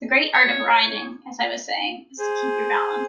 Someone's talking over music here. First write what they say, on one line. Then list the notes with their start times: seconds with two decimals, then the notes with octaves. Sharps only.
The great art of riding, as I was saying, is to keep your balance.
0.34 C#5
2.19 G#4 C5